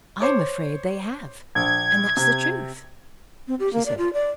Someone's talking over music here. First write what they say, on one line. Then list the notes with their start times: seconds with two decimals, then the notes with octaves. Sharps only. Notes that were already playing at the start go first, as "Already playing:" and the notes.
'I am afraid they have, and that's the truth,' she said.
0.21 C5 C#5 D6
1.55 A#1 G#6
2.17 C3
3.48 C4
3.60 G4
3.73 A#3
3.86 D5
3.98 F4
4.13 D5